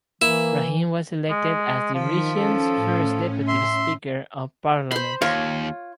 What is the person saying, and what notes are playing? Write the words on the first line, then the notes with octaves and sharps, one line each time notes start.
Rahim was elected as the region's first deputy speaker of parliament.
E3 A#3 E4 E7
G#3
D#3 F3 F4 B6
C#4 A4
A2 C#4
E5 C6
C5 B5 C6
D#2 F4 C#5